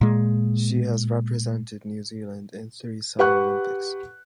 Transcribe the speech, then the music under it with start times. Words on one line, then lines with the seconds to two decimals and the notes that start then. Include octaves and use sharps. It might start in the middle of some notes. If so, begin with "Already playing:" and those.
She has represented New Zealand in three Summer Olympics.
0.01 A#2 G#3
3.19 G4 B4 F#5 C#6 F#6